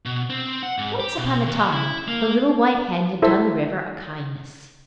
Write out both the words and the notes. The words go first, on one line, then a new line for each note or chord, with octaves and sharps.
Once upon a time the little white hen had done the river a kindness.
B2
C4
F#5
G#2
G4
B2
D#2
E4
A#3
E4 A4 C5 E5